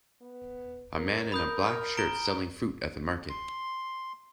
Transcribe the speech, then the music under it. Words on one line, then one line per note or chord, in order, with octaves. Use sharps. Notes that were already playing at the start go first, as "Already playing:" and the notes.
A man in a black shirt selling fruit at the market.
B3
A#4
A#4 B5 D#6 G6
F6
A#5 D7 G7
C6